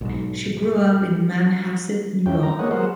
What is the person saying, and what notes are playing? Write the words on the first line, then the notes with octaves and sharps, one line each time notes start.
She grew up in Manhasset, New York.
B1 G#2
F2 E3 C#4 G5
A#5
G#3 A#3 B3 C#5 D#5 F#5
F#3 G#3 A#4 C5 F#5